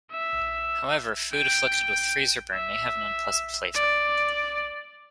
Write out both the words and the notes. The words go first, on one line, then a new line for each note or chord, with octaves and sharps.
However, food afflicted with freezer burn may have an unpleasant flavour.
E5
G5
E5
D5